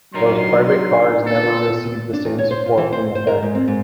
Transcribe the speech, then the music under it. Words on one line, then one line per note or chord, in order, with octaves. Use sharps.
Those private cars never received the same support from the factory.
D3 F#3 D#4 A#4 C6
B3 A4
D4
E2
C#5
C5
F4
E3
C5
C5
A#4
G#2
C4
G#2